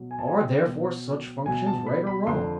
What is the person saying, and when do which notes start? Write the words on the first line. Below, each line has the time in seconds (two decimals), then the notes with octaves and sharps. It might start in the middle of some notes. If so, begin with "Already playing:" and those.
Are, therefore, such functions right or wrong?
Already playing: B2 F#3
0.11 G#5
0.19 A5
0.27 G#5
0.38 G5
0.65 B2 F#3
1.46 B2 F#3 G#5
1.67 A5
1.87 B5
2.07 B5
2.27 F2 D3 F3 C6